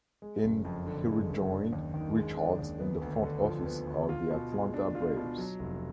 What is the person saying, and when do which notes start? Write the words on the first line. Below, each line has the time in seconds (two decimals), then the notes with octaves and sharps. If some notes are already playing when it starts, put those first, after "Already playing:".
In he rejoined Richards in the front office of the Atlanta Braves.
0.22 G#3
0.43 F#1
0.65 F2
0.87 D3
1.08 G#3
1.29 F#1
1.51 D4
1.73 D#2
1.94 D#3
2.15 G#3
2.37 D4
2.59 D#2
2.80 B3
3.02 D2
3.23 D3
3.44 F3
3.66 B3
3.87 D2
4.09 F4
4.31 B2
4.52 G#3
4.74 D4
4.95 F4
5.17 B2
5.38 F#3
5.59 F1